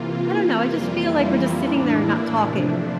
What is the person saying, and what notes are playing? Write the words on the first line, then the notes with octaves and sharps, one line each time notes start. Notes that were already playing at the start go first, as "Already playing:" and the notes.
I don't know, I just feel like we're just sitting there and not talking
Already playing: C3 E3 A#3 F4
F2 E3 G3 A#3
E4
A2 E3 A#3 D4
E4
C3 F3 A3 D4